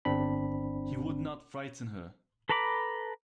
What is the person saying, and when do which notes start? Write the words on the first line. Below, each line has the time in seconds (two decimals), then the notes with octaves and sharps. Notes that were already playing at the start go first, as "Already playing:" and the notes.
He would not frighten her.
0.05 G1 C4 D4 B5
2.49 A4 B4 A#5 B5 D6